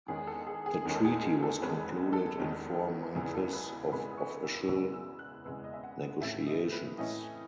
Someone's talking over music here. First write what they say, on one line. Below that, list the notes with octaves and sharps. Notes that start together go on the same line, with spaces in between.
The Treaty was concluded in four months of official negotiations.
E2 D#3 G#3 C#4 G#4
A4
G#4
G#4
E2 D#3 G#3 C#4
A4
G#4
G#4
A4
E2 D#3 G#3 C#4 B4
B4
A4
E2 D#3 G#3 C#4
E2 C#3 E3 G#3 B3 G#4
A4
B4
E2 C#3 E3 G#3 B3 B5
D#6
C#6
E6
E2 C#3 E3 G#3 B3 E6
E6
F#6
E2 C#3 E3 G#3 B3 E6
D#5
E5
F#5
A2 E3 A3 C#4 E5
D#5
B4
A2 E3 A3 C#4 D#5